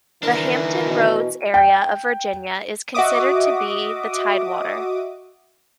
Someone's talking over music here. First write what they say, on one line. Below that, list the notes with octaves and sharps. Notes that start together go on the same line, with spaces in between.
The Hampton Roads area of Virginia is considered to be in the Tidewater.
D#3 E3 D4 A#4
B2
G5
F#4 D#5 E5 D6 D#6